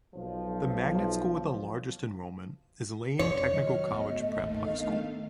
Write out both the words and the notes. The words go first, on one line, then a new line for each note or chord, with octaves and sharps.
The magnet school with the largest enrollment is Lane Technical College Prep High School.
B1 F3
F2 C3 C#4 C#5 D5
D#3 F#3 G3 F#4 D#5 F6
D1 G2 A3 B3
G#1 D#2 A2 D#3 A3 F5
B3 D4